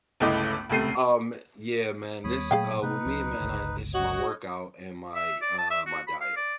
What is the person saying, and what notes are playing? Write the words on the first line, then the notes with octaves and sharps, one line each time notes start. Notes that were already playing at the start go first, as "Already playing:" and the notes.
Um, yeah, man. This, uh, with me, man, I it's my workout and my, uh, my diet.
G1 C#2 A3 E4 D#5 D6
D#1 C#2 C3 A3 C7 D#7
D#2 G3 B3 C#5 B5 D#6
A#2 F#3 A3 G#4 F5 G5
C3 A3 B3 D#4 B4
C#2 F#3 C#4
G1 C#2
F#4 C#5 D#5
E5
D5
A5
E5
F#4
B5
F5
D5